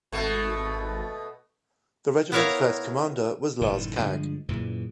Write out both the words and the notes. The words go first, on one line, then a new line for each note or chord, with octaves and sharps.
The regiment's first commander was Lars Kagg.
G#1 B2 A3
B3 E4 A#4 C#5 F5 A#5
F#1 A2 D#3
G2 D3 F3 G#3
F#2 A#2 C#3 E3